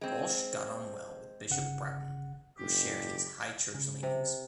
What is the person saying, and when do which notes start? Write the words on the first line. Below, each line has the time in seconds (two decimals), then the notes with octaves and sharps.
Walsh got on well with Bishop Broughton who shared his High Church leanings.
0.01 G#3 C4
1.50 G1 C#3 F#5
2.58 F#1 G4
3.74 C#3
4.03 C3